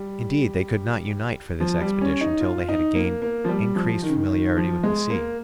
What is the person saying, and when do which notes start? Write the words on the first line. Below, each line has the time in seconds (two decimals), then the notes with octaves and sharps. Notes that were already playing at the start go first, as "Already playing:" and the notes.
Indeed, they could not unite for this expedition till they had gained increased familiarity with the sea.
Already playing: G3
1.60 F3
1.81 G3
2.01 C#4
2.21 D#4
2.41 F4
2.69 D#4
2.95 A#3
3.22 A#3
3.44 F3
3.48 G3
3.75 F3
4.02 D#3
4.09 C#3
4.17 D#3
4.29 D#3
4.57 F3
4.83 G#3
5.10 A#3